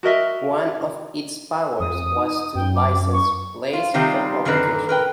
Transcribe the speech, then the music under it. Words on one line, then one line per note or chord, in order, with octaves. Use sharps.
One of its powers was to license plays for publication.
F#4 A#4 D#5 E5
F2 D#6
D#4
F#2 G5
D6
C#6
F4
C3 D#3 G3 C4 F4
F#2 D3 D#3 C4 A#4 B4
A#4 B4 G5